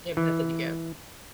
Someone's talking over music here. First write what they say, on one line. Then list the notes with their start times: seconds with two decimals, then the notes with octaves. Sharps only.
You have nothing to give.
0.17 E3